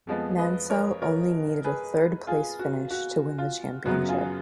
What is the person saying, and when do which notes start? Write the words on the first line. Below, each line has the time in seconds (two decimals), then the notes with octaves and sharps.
Mansell only needed a third-place finish to win the championship.
0.07 F2 F3 G#3 B3
0.38 B4 D#5
0.70 A#4 C#5
1.02 A#4 C#5
1.64 G#4 B4
2.27 F4 G#4
2.59 F#4
2.91 F#4
3.38 F4
3.85 F#2 C#3 F#3 B3 F#4
4.09 F4 G#4